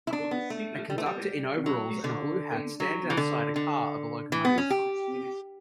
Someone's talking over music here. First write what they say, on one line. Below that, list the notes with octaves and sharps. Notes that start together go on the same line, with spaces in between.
A conductor in overalls and a blue hat stands outside a car of a locomotive.
E4
D4
B3
A3
G3
A3
G3
F#3
D3
F#3
E3
D3
D3
E3
B3
C#4
G4